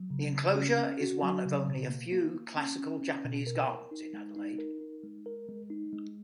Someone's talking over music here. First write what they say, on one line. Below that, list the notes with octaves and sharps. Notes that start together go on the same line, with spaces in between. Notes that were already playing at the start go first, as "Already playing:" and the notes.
The enclosure is one of only a few classical Japanese gardens in Adelaide.
Already playing: F#3
C#3
C#3
C#4
C#4
F#4
F#3
C#3
B2
A#3
A#3
A#3
C#4
C#4
C#4
B2
A#4
A#4
D#4
G#3
D#4
A#4
D#4
G#3
A#4
G#3
D#4
G#3